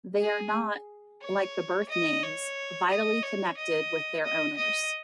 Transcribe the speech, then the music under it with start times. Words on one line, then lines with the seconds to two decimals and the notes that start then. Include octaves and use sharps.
They are not, like the birth-names, vitally connected with their owners.
0.21 G#4
1.22 C#5
1.89 D#5
2.23 C#5
2.90 D#5
3.23 C#5
3.57 D#5
4.24 D#5
4.57 D#5